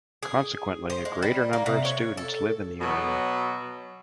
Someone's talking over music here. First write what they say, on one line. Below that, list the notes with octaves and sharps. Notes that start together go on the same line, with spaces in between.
Consequently a great number of students live in the area.
G#4
C5
G#3
G3
A#3
C3
C#5
A4
B2 F#3